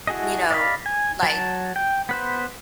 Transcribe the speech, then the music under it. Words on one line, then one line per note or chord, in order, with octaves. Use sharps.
you know, like,
E4 F#4 G#4 A4 D#5
D5 D#5 F5 G#5 B5
G#5
F#3 A5
G5
B3 B4 C5